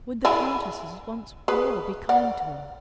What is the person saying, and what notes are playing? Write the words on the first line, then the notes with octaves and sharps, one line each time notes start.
Would the Countesses once more be kind to him?
E4 G#4
G#4 B4
D5 F#5